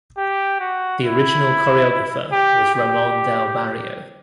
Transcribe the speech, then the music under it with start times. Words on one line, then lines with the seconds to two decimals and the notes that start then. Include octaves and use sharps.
The original choreographer was Ramon Del Barrio.
0.18 G4
0.60 F#4
1.03 E4
2.32 G4
2.75 G4